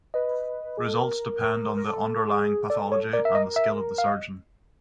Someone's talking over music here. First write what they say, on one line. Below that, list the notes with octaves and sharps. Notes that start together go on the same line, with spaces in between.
Results depend on the underlying pathology and the skill of the surgeon.
B4 D#5
G#4
A4
A#4
A#4
A#4
A4
G#4
A4 D5
C#5
A#4 D5
E5
D#5
E5
F5
D#5